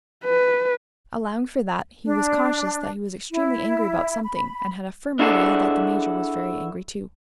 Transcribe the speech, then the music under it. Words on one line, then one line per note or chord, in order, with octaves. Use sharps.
Allowing for that, he was conscious that he was extremely angry about something, and had a firm idea that the Major was very angry too.
B4
D4
E4
B5
D4 E4 F#4 G#4 A4